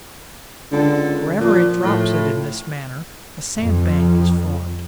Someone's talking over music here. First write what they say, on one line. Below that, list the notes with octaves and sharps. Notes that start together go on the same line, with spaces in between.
Wherever it drops it in this manner a sand bank is formed.
C#2 D3
A#2 F3
A2
F2